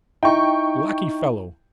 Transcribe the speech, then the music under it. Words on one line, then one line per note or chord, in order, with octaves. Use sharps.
Lucky fellow!
D#4 E4 E5 G5 C#6